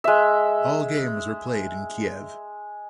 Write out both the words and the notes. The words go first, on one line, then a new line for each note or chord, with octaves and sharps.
All games were played in Kyiv.
G#3 E5